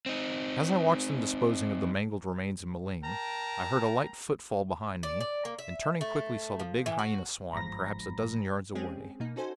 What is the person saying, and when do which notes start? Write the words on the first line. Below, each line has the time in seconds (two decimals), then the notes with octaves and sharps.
As I watched them disposing of the mangled remains of M'ling, I heard a light footfall behind me, and turning quickly saw the big Hyena-swine perhaps a dozen yards away.
0.06 C4 D#4
3.03 A#4 G5 A5 A#5
5.03 D5
5.20 D5
5.45 A#3
5.59 E5
6.01 A3
6.59 F3
6.86 E3
6.99 F#4
7.53 G1 G#2 F3 A#5 B5 A#6
8.75 G#3 C4 C#4 G4 G#4
9.20 B2 A#3 D#4
9.36 C#4 D#4 F#4 A4 C5 G#5